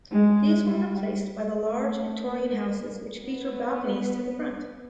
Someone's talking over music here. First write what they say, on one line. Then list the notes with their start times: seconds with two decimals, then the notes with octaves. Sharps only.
These were replaced by the large Victorian houses which feature balconies to the front.
0.12 G#3
0.64 G3
1.69 A3
2.20 A#3
3.25 B3